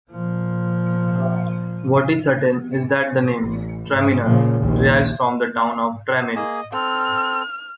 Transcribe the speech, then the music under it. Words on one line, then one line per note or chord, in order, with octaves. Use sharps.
What is certain is that the name "Traminer" derives from the town of Tramin.
A#2 F3
A1
G#2
A#2 C#3 F3
A#1 D#2 A#2
A#3 G#4 D#5
C4 A4 F6